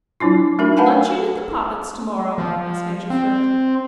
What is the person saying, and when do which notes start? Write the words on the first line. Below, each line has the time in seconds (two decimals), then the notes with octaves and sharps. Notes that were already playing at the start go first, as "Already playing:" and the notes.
"Lunching at the Poppit's to-morrow?" asked Major Flint.
0.20 F#3 D4 E4 F4
0.59 A3 D4 D#4 F#4 A#4
0.77 B4 F5 F#5 G#5 A5 B5
1.17 A4
2.38 F3
3.10 C4